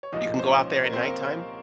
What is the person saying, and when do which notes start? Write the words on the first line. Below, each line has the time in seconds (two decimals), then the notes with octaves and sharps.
You can go out there at nighttime.
0.03 C#5
0.12 C2 A#2 F3 G#3 D#4 D#5
0.39 C5
0.43 C#4 C#5
0.75 C5
0.84 A#4
0.93 C4 C5
1.05 A#3 A#4